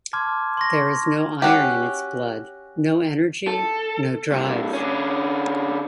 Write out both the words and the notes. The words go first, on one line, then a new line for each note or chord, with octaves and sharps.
There is no iron in its blood, no energy, no drive.
A5 C6 D6 F6 G#6
C6 C#6 A#6
C#4 F#4 G4
A4
G2 C3
D3 C#4